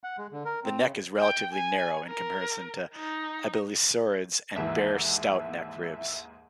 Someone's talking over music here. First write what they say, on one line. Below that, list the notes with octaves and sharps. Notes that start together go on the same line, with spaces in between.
The neck is relatively narrow in comparison to abelisaurids and bear stout neck ribs.
F#5
G#3
D3
A#4
C4
C#3
G5
G#5
A#4
D#4
D#2 G#2 E3 E5